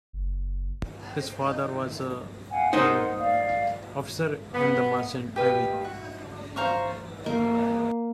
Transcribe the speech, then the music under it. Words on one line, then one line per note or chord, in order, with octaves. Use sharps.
His father was an officer in the Merchant Navy.
F#1
F5 F#5 G#5
D#4 A#4 C5 D#5 F#5
D5 F5
B3
G4 B4 D#5 F5
F#4
C5 F5 A#5 C#6
A#3